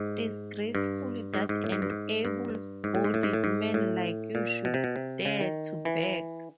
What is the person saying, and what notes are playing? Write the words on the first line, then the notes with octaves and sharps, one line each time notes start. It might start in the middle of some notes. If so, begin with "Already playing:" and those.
Disgraceful that an able-bodied man like you should dare to beg.
Already playing: G#2
G2
G#2
G#2
A2
G#2
G2
G#2
G2
G#2
A2
G#2
A2
G#2
A2
G#2
A2
A#2
B2
C3
B2
C3
C#3
D#3
E3